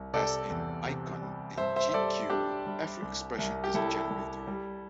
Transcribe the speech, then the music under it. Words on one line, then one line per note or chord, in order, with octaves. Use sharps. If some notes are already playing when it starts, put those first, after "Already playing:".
As in Icon, in jq every expression is a generator.
Already playing: C2
C3 A4 D5
E2
C3
G3
G2 C5 E5
C5 E5
E5
G3 A4 D5
G3 D4 G4
G3
C2
C2
G4
C2 E4 A4
C2
G3